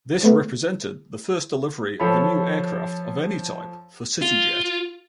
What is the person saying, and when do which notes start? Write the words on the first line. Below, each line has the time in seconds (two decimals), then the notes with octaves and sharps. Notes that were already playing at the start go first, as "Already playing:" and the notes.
This represented the first delivery of a new aircraft, of any type, for CityJet.
0.23 A2 A3 B3
2.00 F3 A4 C#5 B5
4.22 F4